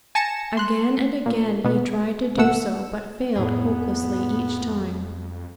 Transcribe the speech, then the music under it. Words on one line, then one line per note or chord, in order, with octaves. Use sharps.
Again and again he tried to do so, but failed hopelessly each time.
G#5 A5 A#6 C#7 E7
C6 F#6
A#2
B2 B3
G#1 B2 A3 F#5 E6
F2 A2 B3 G#4